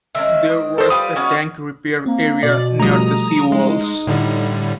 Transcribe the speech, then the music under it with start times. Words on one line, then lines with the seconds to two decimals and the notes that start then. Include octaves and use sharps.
There was a tank repair area near the Sea Walls.
0.15 D#3 G#3 C4 C#4 E5
0.50 D#6
0.78 A4 C5 D5 D#5
0.90 G3 F4 G4 B4 D#6
1.16 G#3 B3 C#4 F#4
2.06 A#3 C4
2.43 B2 D5
2.80 F3 G3 A3 A#5 D#6
3.52 G#3 D#4
3.84 D#6
4.07 A2 D3 G3